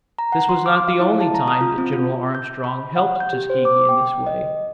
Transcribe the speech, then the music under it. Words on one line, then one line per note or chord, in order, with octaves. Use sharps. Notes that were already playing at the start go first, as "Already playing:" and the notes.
This was not the only time that General Armstrong helped Tuskegee in this way.
A#5
F#5
C6
D6
F5
E4
A5
A#5
D#6
F4
C4
F4
G6
B5
F#5
G6
G4
C5
D6
G5
D#5